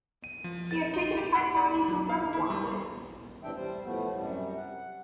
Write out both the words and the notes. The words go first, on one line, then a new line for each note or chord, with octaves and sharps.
She had taken a kite belonging to her brother Wallace.
D#7
F3
A6
D#4
G4
F#5
D5
B5
F#3
F5
E4
G3
A2 C3 E3 D4 E5 G5
G3 C5
A2 F3 A3 B3
F#2 C3 G3
F#5